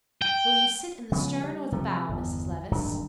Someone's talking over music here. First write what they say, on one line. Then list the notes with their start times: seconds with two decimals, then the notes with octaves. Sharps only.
"Will you sit in the stern or the bow, Mrs. Levice?"
0.22 G5
1.12 C#3 F3 G#3 B3
1.44 G3
1.72 C3 F3 A3
2.09 G1 E2
2.71 D1 A#1 G2 D#3